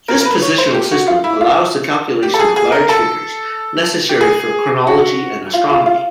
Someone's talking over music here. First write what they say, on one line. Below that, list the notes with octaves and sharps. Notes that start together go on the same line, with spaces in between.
This positional system allows the calculation of large figures, necessary for chronology and astronomy.
A#4
A#4
B4
C#5
C5
G4
F#4
F4
E4
F4
G4
A4
G#4
G#4
A#4
A4
G4
G#4
F#4
F4
F4
F4